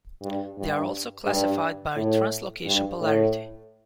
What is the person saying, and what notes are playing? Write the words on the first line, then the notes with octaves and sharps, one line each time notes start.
They are also classified by translocation polarity.
G2
G2
G2
A2
G2
A2